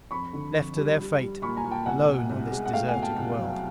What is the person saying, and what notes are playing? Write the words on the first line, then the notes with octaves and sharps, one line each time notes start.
Left to their fate, alone on this deserted world.
F2 B5 C#6
D3
F2
G3
G3
G3
A#2 B5 C#6
G#5 A#5
A#2
G5 A5
C2 F#5 G#5
B2
C2
G#3
F#5
A3 F5 G5
F#5 G#5
B2
G5 A5
C2
F#3